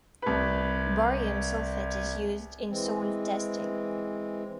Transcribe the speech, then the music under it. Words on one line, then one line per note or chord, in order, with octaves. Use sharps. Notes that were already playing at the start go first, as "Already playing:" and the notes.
Barium sulfate is used in soil testing.
C2 B4
E3 G#3 C4